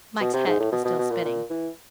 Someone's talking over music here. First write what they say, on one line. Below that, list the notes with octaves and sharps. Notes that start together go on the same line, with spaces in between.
Mike's head was still spinning.
B2
C3
G#2
A2
B2
B2
B2
A#2
A#2
E3